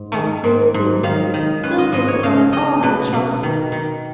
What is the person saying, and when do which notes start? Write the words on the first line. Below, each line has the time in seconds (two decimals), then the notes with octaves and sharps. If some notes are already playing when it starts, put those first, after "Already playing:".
At this good news Sylvia forgot all her troubles.
Already playing: G#2
0.13 D#3
0.44 G#2
0.74 G#2
1.03 D#3 F5
1.34 D#3
1.63 C#4 B4
1.78 D#5
1.93 G#2 D#5
2.08 C#5
2.23 C#3 F5
2.53 C#3 D#5
2.83 B2 B4
3.13 B2
3.43 D#3
3.72 D#3